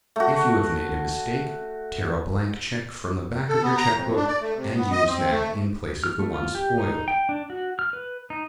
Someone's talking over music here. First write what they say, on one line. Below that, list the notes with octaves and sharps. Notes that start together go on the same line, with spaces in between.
If you have made a mistake, tear a blank check from the back of your check book and use that in place of the one spoiled.
A3 F#4
A4
B3
A#5
F2
D4
D5
A3
C3
B3
D#5
C4
A3
F6
A3
F4
G4
D#4
G5
D4
F#4
F6
B4
D#4